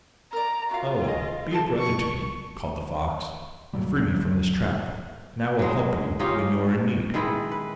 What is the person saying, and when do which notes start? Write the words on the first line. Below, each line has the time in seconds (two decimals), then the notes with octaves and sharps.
'Oh! be a brother to me!' called the fox, 'and free me from this trap, and I will help you when you are in need.
0.33 A#4 D5 A#5
0.71 F4 F#4 F5
1.04 G#4 D#5
1.51 G#4 A4 A5
1.79 C#6
3.73 D2 F#3 G3
5.59 F#3 G#3
6.19 C#4 D#4 F4 G4
7.14 D#3 G#3 E4 B4
7.51 B4